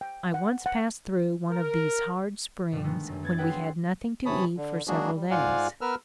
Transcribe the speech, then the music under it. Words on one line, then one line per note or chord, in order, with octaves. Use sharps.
I once passed through one of these hard springs when we had nothing to eat for several days.
G5
F#5
F#5
A#4
G2 B2 D3 F3 G3
D3 D#3 G#3 A3 B3
F#2 D3
B3 G#6 A6
F#4 G#4 A4 B4 F#5 G5
C6
C3 E3 C#5 A5 B5 D#6
D3
F#3 G#3 A#3 D4 F#4 G#4
G3
G#2 F4 D5 F5 F#5 G#5
B3 A#4 B4 E6 F6